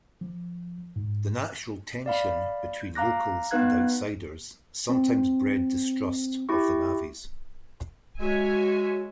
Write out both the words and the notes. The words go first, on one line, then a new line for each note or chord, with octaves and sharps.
The natural tension between locals and outsiders sometimes bred distrust of the navvies.
F3
G#2
D5 F5 B5
F5 A#5 D6 F#6 A#6
B3 D#4 B4 F5 F#6 G#6
C4
E4 G4 C#6
G#3 F#4 C#5 E5 G#5